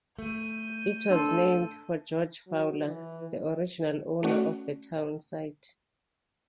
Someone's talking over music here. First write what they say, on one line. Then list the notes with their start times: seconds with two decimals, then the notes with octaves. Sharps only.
It was named for George Fowler, the original owner of the town site.
0.19 A3 G6 D#7
1.10 D4 A4 C6
2.47 F#3
2.87 E3
4.23 A3 C#4 F#4 D5